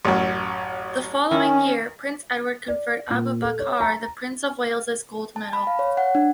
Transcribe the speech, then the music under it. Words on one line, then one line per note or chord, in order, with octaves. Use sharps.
The following year, Prince Edward conferred Abu Bakar the Prince of Wales's Gold medal.
A1 F#2
D#3 C#4
D5
A#2
A4
C#5
A#5
A5
B5
F5
C#5
F#5
D4